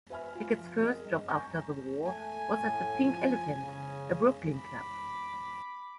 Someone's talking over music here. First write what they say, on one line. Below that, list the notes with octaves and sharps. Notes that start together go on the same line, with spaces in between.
Hackett's first job after the war was at the Pink Elephant, a Brooklyn club.
B4 C5 E5 G#5 B5 F6
F4 G#5
F3
C4 G#4 A#4 D#5
G2
G#5 A#5 C#6 G6 A#6
A3 G#5
A2
F3
C#3
B5 D6